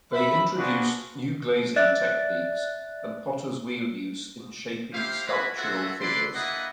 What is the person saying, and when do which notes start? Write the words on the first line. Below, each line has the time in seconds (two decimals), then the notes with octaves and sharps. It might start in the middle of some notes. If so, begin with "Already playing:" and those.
They introduced new glazing techniques and potter's wheel use in shaping sculptural figures.
0.12 E5 B5
0.56 C4 D4 F4 F#4 G#4 B4
1.76 D5 E5 F#6 A6
4.93 E4 G4 C5 F5
5.27 E4 F#4 B4 C#5 B5
5.57 F4 F#4 A4 C#5 E5 F#5
6.01 D4 E4 B4 D5 C6
6.35 A#3 D4 E4 B4 D#5 F#5